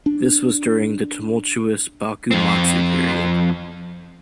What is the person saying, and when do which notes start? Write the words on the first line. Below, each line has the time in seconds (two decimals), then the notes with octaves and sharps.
This was during the tumultuous Bakumatsu period.
0.06 D4
2.31 F2 C4